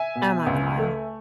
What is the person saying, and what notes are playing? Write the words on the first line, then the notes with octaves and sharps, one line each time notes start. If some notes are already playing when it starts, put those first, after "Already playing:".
Oh my god.
Already playing: E5 G#5
B2
C#2
A3